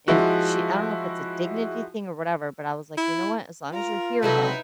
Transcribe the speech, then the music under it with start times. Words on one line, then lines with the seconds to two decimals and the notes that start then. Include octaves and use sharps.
And she I don't know if it's a dignity thing or whatever, but I was like, "You know what? As long as you're here, though,
0.08 F3 G#3 E4 F#4
2.97 E4
3.72 F4 A#4
4.23 C3 F#3 G#3 D#4 E4 A4 B4